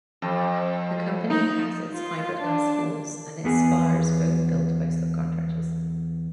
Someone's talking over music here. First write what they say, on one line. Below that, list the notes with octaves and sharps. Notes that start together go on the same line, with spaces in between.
The company has its fiberglass hulls and its spars both built by subcontractors.
F2
D#4
F4
D4
E2 B3 G#4